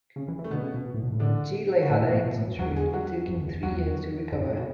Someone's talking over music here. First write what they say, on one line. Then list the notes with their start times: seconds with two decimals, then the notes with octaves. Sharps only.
Gidley had eight surgeries that took him three years to recover.
0.16 C#3
0.28 E3
0.39 E3
0.44 A3
0.51 B2 D3 B3
0.63 C#3
0.74 B2
0.85 B2
0.94 A2
1.03 B2
1.12 A2
1.20 D3 D4
1.83 F#4
1.89 A2 E3 E4
2.01 B2
2.12 A2
2.25 B2
2.36 A2
2.47 F#2
2.59 E2 F#3 F#4
2.76 G#3 G#4
2.93 F#3 F#4
3.28 F#2
3.45 E2
3.63 E2 F#3 F#4
4.32 F#2
4.41 G#2
4.50 A2
4.59 B2